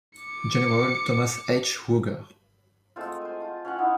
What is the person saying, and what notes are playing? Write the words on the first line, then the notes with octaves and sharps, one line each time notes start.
General Thomas H. Ruger.
D6 C#7
G#3 A3 C4 F4
C5 G#5
F4 A5
C#4 F4 F#5
D#4 E4